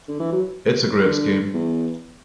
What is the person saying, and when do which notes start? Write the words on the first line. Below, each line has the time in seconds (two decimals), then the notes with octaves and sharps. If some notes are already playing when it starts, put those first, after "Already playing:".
It's a great scheme.
0.08 D3
0.20 E3
0.32 F#3
1.05 D3
1.54 E2